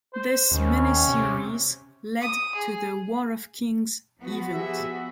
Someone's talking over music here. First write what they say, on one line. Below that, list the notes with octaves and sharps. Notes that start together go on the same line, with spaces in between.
This mini-series led to the War of Kings event.
C5
D#2 C#4
C3
D#6
G#4
F3 B3 F#4
G4 G#4 E5